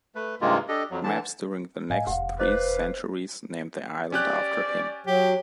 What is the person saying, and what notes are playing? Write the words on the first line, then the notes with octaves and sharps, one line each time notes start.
Maps during the next three centuries named the island after him.
A3 B4
G2 C3 D#3 G#3 A#3 F4
D4 G4 A4 D#5
F2 F#3
D3 E3 A5
A2 G3 D#5 F5 G#5
F1 E2 G4 F5 F#5
B4 C5 D#5 F5 D6 F#6
C#4 G4 D5 F#6
F#3 G4